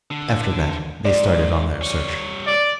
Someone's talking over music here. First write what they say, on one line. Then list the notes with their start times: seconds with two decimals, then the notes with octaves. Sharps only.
After that, they started on their search.
0.11 D3
1.05 G#2 D5
1.82 G3 C#5
2.47 D5